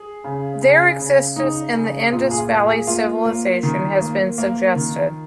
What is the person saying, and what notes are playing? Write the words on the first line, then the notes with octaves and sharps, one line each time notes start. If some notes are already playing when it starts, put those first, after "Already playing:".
Their existence in the Indus Valley Civilization has been suggested.
Already playing: G#4
C#3
C#3
C#3
C#3 D#4
C#3
A#2 F4
G#4
F4
A#3
G#4
A#3 F4
A#3
D#3
A#3
A#3
D#3